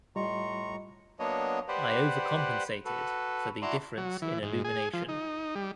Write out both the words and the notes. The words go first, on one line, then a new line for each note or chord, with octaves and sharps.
I overcompensated for the difference in illumination.
A2 G3 F4 D#5 A#5 C6 C#6
F#3 A#3 B3 D4 C#5 D#5
G4 B4 C5 D5 F#5
F#4 A4 B4
E4 F#4 D5 A5 A#5 C6
F#3
E3
G#2
G#4
F3
D#4
G3